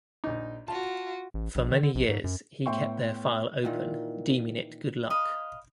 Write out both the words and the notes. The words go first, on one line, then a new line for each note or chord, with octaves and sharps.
For many years, he kept their file open, deeming it good luck.
A#1 D#4
F4 F#4 A5
A1
A#1
D#3
D3
A#1
G#2
F#2
A2 B3 E5 G5 C6 C#6
A#2 D#3 E3
D#5 F5 B5